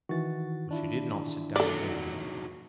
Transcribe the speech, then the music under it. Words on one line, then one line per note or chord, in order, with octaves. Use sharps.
But she did not sit down again.
D#3 E3 F#4 A6
D4 E4 F4
D#2 F#3 A4 D5